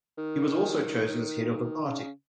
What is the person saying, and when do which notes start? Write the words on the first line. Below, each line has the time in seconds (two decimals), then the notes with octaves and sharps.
He was also chosen as head of the party.
0.18 D#3
1.85 C#3